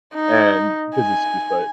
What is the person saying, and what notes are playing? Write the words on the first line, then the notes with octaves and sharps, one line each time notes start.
and because it's just, like
D#4
G#5